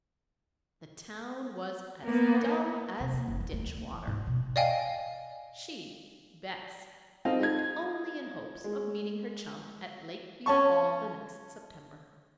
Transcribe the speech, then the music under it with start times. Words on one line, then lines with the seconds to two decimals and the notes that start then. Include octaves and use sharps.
The town was "as dull as ditch water." She, Bess, lived only in hopes of meeting her chum at Lakeview Hall the next September.
2.03 A#3 B3
3.00 C3
3.13 A#3
3.27 F#1
3.41 D#2
3.53 A3
3.66 D2
3.77 A3
3.92 E3
4.07 G#2
4.27 B2
4.56 D5 D#5 F5 G5 G#5
7.25 C4 D#4 F4 A4 D#5 F5
7.41 D#4 G#6
8.64 G#3
10.46 C#4 A5 C#6